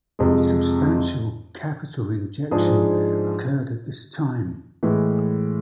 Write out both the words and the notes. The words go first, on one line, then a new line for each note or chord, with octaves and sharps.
A substantial capital injection occurred at this time.
F2 C3 G#3
G#2 F3 G#3 D4 G#4
A2 E3 G#3